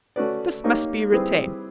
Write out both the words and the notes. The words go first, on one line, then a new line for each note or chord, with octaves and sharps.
This must be retained.
A3 C#4 F#4 B4 D5
A#3 D#4 G4 A#4 C#5
G3 C4 E4 G#4 B4